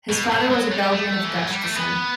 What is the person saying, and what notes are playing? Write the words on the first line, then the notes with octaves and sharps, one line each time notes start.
His father was a Belgian of Dutch descent.
B2
A2
F#3
G3
A3
E3
F#3
G3
A3
B3